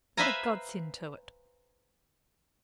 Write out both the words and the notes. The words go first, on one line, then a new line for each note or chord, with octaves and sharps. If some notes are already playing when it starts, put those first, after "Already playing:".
What a godsend to it!
B4 C5 E5 F5 G#5 A#5